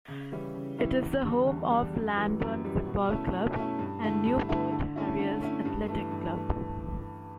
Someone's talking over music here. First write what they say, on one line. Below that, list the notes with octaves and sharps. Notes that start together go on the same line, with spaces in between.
It is the home of Llanwern football club and Newport Harriers Athletic Club.
C#3
E3 G3 C#4 E4
C#3
E3 G3 C#4 E4
E2
D3 G3 D4
E2
D3 G3 D4
F#2
E3 G3
F#2
E3 G3
B2
A3 C#4 E4
B2
A3 C#4 E4
G2
D3 A3 E4
G2
D3 A3 E4
D3
A3 C#4 E4
D3
A3 C#4 E4
G2
E3 A3
G2
E3 A3